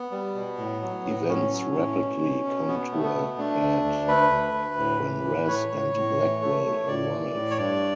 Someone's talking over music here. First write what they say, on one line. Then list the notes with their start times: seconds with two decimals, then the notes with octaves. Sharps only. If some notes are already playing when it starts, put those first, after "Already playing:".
Events rapidly come to a head when Rez and Blackwell arrive.
Already playing: B3
0.11 G3
0.35 B2
0.58 A2
0.82 F#3
1.05 A2
1.28 A2 C#4
1.51 F#3
1.75 A2
1.98 B2
2.22 B2
2.45 B2
2.68 B2 B3
2.92 A3
3.03 B3
3.15 B2
3.38 A3 D4
3.62 D2
3.85 D2
4.08 A3 B4
4.31 D2
4.54 D2
4.78 A2
5.01 E3
5.24 A2
5.48 A2 C#5
5.72 A2
5.94 A2
6.18 E3
6.41 A3
6.64 A3
6.88 A2 D5
7.11 E3
7.35 A2
7.51 C#5
7.58 G2 D5